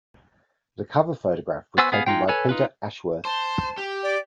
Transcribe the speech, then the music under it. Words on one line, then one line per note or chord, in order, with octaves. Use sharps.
The cover photograph was taken by Peter Ashworth.
B3 F#4 C5 G#5 E6
B3 G#4 F5
G#3 D#4 F4 G5
A4 B4 C#5 G#5
D#4 F4 B4
C5 A5
G4
D5